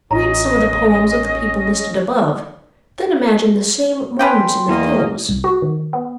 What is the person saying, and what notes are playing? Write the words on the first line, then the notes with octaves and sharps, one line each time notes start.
Read some of the poems of the people listed above, then imagine the same moods in the films.
A1 C#4 D#5 A#5
C#4 B4 G5 C6
E2 A#3 D#5
C2
F#4
D#3
B3